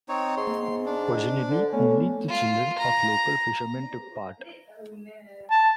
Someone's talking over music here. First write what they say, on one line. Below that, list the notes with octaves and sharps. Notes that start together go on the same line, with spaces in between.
Originally only the children of local fishermen took part.
C4 D#4 C#5
G#2 C6
D4
D3
A3 B3 C#4 A4
F4
A#5
A5